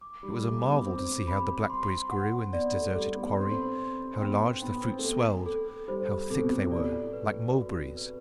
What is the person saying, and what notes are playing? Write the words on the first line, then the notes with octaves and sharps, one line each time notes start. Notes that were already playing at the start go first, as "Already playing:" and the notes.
It was a marvel to see how the blackberries grew in this deserted quarry; how large the fruit swelled, how thick they were--like mulberries.
D6
G3
G3
A3 D6
B3
C4 D6
B5
C6
F#5
B3 D5
A3
G3 A4
B3
C4 C6
B3
C4
C6
C4
B3 G5
C4
B3 G5
C4
A3
B3 A4
A4
G3 C5
C3 A4
B2
C3
A2
B2 D5
B4
F#4
B4